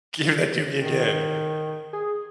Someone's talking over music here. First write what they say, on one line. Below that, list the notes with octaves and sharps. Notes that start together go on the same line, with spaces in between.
give that to me again.
D#3
G#4